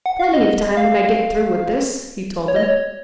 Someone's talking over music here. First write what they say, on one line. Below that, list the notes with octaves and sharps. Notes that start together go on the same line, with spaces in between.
"Plenty of time when I get through with this," he told them.
F#5
F5
D#5
F5
C#5
D#5
C#5